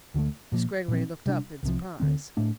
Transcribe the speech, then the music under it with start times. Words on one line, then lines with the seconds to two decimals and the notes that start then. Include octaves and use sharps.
Miss Greggory looked up in surprise.
0.14 D2 D3 F3 A3
0.52 A#2 F3 A#3
0.88 A#2 F3 C4
1.26 C3 G3 A#3 D4
1.63 C2 C3 F3
2.00 D2 D3 A3 C4
2.37 A2 A3 D4